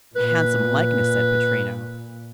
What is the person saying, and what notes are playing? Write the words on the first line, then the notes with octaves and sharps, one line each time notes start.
"A handsome likeness!" said Pittrino.
A#2 B4